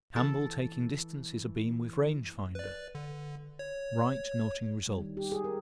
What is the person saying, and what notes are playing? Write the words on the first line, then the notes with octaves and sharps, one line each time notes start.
Campbell taking distances abeam with range finder. Wright noting results.
E3 A4
B4 D5
D3
C#5
G3
D#3
G4
G#4
A#4